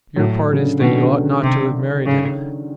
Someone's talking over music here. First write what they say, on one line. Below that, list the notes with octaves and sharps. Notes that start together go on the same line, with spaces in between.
Your part is that you ought not to have married him.
A2 F#3
C#3
D3
B2 D#3
D3
C#3
D3
C3
C#3